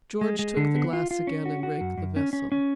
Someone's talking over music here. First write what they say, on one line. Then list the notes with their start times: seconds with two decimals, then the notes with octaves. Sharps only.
George took the glass again and raked the vessel.
0.21 G#3
0.39 G#3
0.57 D3
0.75 B3
0.93 F4
1.11 F4
1.27 C#4
1.46 F#4
1.63 F#4
1.81 F#2
1.98 F#2
2.16 C#4
2.33 C#4
2.52 C#4